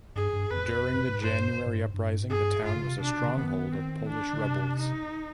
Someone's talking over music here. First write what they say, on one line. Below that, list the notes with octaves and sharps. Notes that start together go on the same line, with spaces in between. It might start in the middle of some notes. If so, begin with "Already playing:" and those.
During the January Uprising, the town was a stronghold of Polish rebels.
G2 G#4
G2
F2 B4
B2
G#2
G2 C5
B2
G#2
G2
G#2
G2
G#2
G2 G#4
G2 F4
D3
C3
C3 D4
B2
C3
D3
D#3 B3
C4
D4
D3
C3
D#4